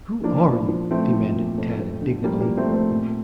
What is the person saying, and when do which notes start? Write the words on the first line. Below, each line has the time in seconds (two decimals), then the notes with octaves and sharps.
"Who are you?" demanded Tad indignantly.
0.24 F3 A#3 D4
0.47 A#2
0.68 F3
0.91 F3 A3 C4
1.13 F3
1.35 A#2
1.58 F2
1.80 F2
2.02 D3
2.24 F3 G3 A#3
2.40 G3 A#3
2.46 F3
2.57 A3 C4
2.68 F2
2.73 A3 C4
2.91 A#2